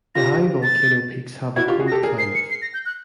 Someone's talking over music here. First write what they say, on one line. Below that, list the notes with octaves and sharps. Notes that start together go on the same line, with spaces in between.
The high volcano peaks have a cold climate.
F4 G4 A#6
A6
E4 F#4 G#6
F4 G4
F#4 G#4
A#6
G4 A4
G#4 A#4
C7
C#7
C7
A#6
G6
F#6